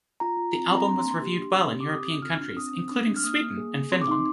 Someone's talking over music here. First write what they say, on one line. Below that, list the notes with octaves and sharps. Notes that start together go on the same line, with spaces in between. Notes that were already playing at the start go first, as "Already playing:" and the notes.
The album was reviewed well in European countries, including Sweden and Finland.
F4 A#5
F4
C4
C4
A#5
D4 C6
C6
A#3
C6
G4
D4
C4
G4
D6
C4 D#6
C4
F4 F6
D4
C4 D#6
C4
D4
D4
F6
A#3 D#6
A#3
G#4
G#4
C4 C6
D6
D#4 C6